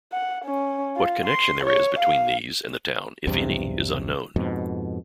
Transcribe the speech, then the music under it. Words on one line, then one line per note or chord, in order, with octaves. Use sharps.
What connection there is between these and the town, if any, is unknown.
F#5
C#4
F4
C6
C#5
F5
B1 E2 G2 C3
F2 G#2 B2